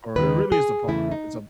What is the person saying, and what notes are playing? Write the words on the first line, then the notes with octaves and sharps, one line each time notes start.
or really it's a pond it's a
D#2 D#3 G#3 B4
G#4
E2 C#3 E3 A3 E4
D#4